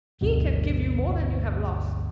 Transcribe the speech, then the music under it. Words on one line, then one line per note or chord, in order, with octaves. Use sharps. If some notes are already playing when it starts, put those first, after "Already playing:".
"He can give you more than you have lost."
G1 D2 B2 F#3